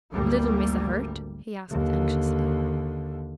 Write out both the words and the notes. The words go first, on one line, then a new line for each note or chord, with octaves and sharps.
"Little Missa hurt?" he asked anxiously.
G#1 D2 G3 A#3
D#2 D3